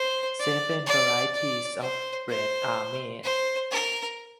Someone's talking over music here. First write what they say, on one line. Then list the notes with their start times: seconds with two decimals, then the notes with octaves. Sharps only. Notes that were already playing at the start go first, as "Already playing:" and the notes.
Seven varieties of bread are made.
Already playing: C5
0.39 D5
0.86 D5
1.33 D5
1.81 C5
2.29 C5
3.24 C5
3.71 A#4